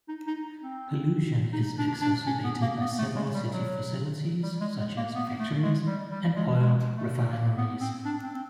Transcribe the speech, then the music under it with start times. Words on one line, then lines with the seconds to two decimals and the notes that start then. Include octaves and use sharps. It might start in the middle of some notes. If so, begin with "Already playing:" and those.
Pollution is exacerbated by several city facilities such as factories and oil refineries.
0.08 D#4
0.27 D#4
0.63 C4
1.53 D#4
1.78 D4
2.01 D4
2.26 C#4
2.44 B3
2.62 A#3
2.80 B3
2.98 A3
3.16 G#3
3.35 G3
3.53 F#3
4.43 G3
4.61 G#3
4.79 G#3
4.97 A#3
5.15 B3
5.40 A3
5.63 G#3
5.87 G3
6.11 G3
6.36 G#3
6.60 G#3
6.97 A3
7.32 A#3
7.57 B3
7.81 C4
8.05 D4
8.23 C4
8.34 C4